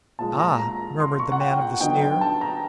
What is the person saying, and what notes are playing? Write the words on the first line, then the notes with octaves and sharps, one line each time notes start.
"Ah!" murmured the man of the sneer.
A#2 F3 G#3 A5
A#5
A#5
C6
C#6
F#5
G5
F#5
D3 F#3 B3 D#4 G5
G5
A5
A#5